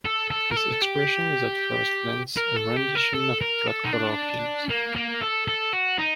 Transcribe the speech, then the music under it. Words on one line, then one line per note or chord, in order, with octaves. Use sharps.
This expression is at first glance a rendition of flat color fields.
A4
A4
A#4
A4
G4
A#4
A4
G4
A#4
A4
A#4
A4
D#4
D4
A#3
A#3
A4
A4
F#4
D#4